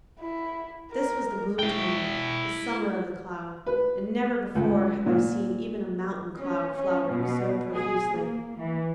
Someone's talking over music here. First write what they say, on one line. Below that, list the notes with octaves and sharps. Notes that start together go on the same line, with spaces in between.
This was the bloom-time, the summer of the cloud, and never before have I seen even a mountain cloud flowering so profusely.
E4
A#4
E4 G5
B4
C#2
A#2
C#4
C#4
B2
G#4
A#3
E3